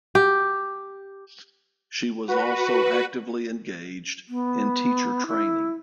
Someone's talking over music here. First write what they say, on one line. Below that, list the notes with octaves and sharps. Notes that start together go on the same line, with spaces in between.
She was also actively engaged in teacher training.
G4
F#4 B4
B3
E4